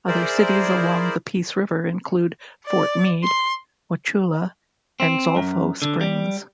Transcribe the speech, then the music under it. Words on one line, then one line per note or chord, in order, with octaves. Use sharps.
Other cities along the Peace River include Fort Meade, Wauchula and Zolfo Springs.
E4 G#4 A#4 C5 D5
D5
C6
C4
F#2
D3
G3